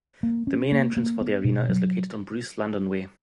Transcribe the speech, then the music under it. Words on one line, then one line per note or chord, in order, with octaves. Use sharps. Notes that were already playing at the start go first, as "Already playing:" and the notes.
The main entrance for the arena is located on Bruce Landon Way.
A#3
C#4
A#3
A#3
B3
B2
F#3